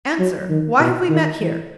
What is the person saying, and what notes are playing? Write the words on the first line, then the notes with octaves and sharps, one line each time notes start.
Answer: why have we met here?
F#3
D#3
B2
D#3
E3